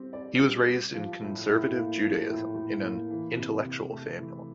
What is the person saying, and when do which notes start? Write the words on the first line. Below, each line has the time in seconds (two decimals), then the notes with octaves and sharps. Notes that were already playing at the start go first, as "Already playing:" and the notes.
He was raised in Conservative Judaism, in an "intellectual family".
Already playing: G3 C4 G4
0.13 D5
0.39 G3
0.67 G4
0.94 F3
1.21 A2
1.48 A2
1.75 A#3
2.02 F3
2.29 A2
2.55 A2
2.83 A#3
3.10 E3
3.37 C3
3.64 C3
3.91 A3
4.18 E3